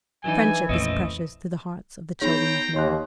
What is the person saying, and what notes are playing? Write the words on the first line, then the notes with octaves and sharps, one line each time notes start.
Friendship is precious to the hearts of the children of men.
E3 F#3 D4 D#4 G#5
A#1 F2 A3 C4 C#4 D#5
B3 D#4 G#4 C5 C#5 G5 A#5 B5
D#2 C#5 C6 F#6